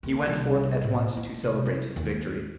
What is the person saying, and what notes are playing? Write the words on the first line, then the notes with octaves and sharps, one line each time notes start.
He went forth at once to celebrate his victory.
D#2
C2
A2
E4
C3
E4
D#2